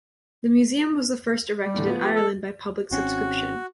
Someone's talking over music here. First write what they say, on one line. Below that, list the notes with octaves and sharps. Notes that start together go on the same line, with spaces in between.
The museum was the first erected in Ireland by public subscription.
G3
E2 A2 D3
F3 A3 B3
G4
A4
G#1 C4 C#4 F#4